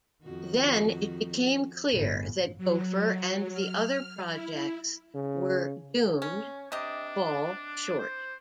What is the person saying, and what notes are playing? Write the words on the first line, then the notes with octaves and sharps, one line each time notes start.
Then it became clear that Gopher and the other projects were doomed fall short.
F2 D#3 F#4
G1 A2
F#3
F6
E4
C#3
C#4
C3 D4 G4 D#5
C5